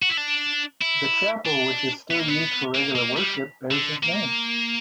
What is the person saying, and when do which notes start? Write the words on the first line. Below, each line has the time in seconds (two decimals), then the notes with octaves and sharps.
The Chapel which is still used for regular worship bears his name.
0.02 F#4
0.10 E4
0.17 D4
0.82 E4
1.46 D4
2.11 B3
2.19 A#3
2.28 B3
2.75 A#3
2.95 A#3
3.17 G3
3.71 D3
4.03 A#3